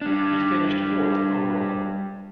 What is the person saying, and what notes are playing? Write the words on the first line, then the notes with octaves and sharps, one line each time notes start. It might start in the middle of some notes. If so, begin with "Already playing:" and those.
He finished fourth overall.
G3 D4